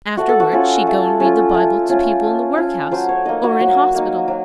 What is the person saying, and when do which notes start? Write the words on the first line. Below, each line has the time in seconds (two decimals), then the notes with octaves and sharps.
Afterwards she'd go and read the Bible to people in the workhouse or in hospital.
0.17 A3 F#4
0.29 A4
0.40 F#4
0.52 C#4 F4
0.87 A3
1.20 C#4 F4
1.54 A3
1.89 C#4 F4
2.24 A3
2.57 C#4 F4
2.91 F#3 C5
3.09 C#5
3.25 A#3 D#4 D#5
3.43 F#4
3.60 F#3
3.95 A#3 D#4
4.28 F#3